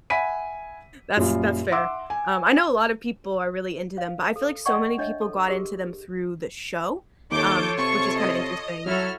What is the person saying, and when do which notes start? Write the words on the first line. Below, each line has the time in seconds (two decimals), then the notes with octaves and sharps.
that's that's fair. Um, I know a lot of people are really into them, but I feel like so many people got into them through the show, um, which is kinda interesting.
0.10 E5 F#5 G#5 B5 B6 D#7
1.17 F#2 A#2 G3 F4
1.71 E5 F#5 C6 D6 E6
2.10 G#5
3.97 C5 F5
4.36 A4
4.66 D5 D#5 F#5 G5 A5 C#6
4.98 D4 C#5 D#5 E5
5.21 A4
5.47 G4 G#4 A#4 B4
7.31 D#2 F4 A4 C#5 D6 G6
7.78 C3 C#6
8.19 D#5
8.86 F#3 E4 F#4 A4 C#5 F6